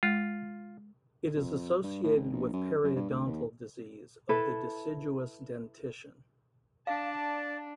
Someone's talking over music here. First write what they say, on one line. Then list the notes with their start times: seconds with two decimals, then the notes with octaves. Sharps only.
It is associated with periodontal disease of the deciduous dentition.
0.03 G#3 F4
1.36 F2
1.83 G2
2.03 A2
2.16 G#1
2.33 A#1
2.53 F#2
2.84 F#2
2.96 G2
3.10 D2
3.26 D#2
4.29 E4 A4 B4
6.87 D4 D5 F5 A5